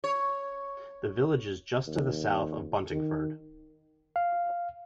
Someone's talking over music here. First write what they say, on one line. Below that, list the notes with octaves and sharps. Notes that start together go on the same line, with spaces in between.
The village is just to the south of Buntingford.
C#5
D#2
D#3
F5